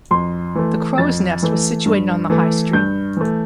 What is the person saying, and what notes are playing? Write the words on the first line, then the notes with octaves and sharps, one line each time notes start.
The Crows Nest was situated on the High Street.
F2 C6
E3 A3
F2 A6
E3 A3
G2
E3 A3
G2 G6
E3 A3